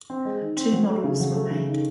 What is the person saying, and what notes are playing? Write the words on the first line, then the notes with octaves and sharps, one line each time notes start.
Two models were made.
C4
G#3
D#3
C4
F#3
A3
C#3
F#3
A3
C#3
D#3